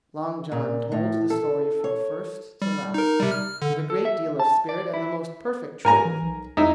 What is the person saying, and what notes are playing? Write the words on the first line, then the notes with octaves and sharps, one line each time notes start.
Long John told the story from first to last, with a great deal of spirit and the most perfect truth.
A#2
A2
A4
C#5
G3
D#4 A#4
C3 G3
F6
D3
A4
E5
A5
D5
E4
G#2 A#4 G#5 A#5
E3
B1
F2 D#4 E4 E5